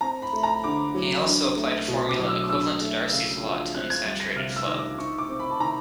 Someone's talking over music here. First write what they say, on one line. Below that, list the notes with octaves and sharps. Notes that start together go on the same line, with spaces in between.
He also applied a formula equivalent to Darcy's law to unsaturated flow.
C4 A#5
B5
A3
A#5
D3 D6
F#3
D4
A3
B2
D6
F#3
E6
D4 E6
A3
C#3
F3
C4 F#6
G#6
G3 A6
A#6
C3 F6
E6
D#3
D6
D#4 C#6
D6
C4
B5
A5
D#3 A#5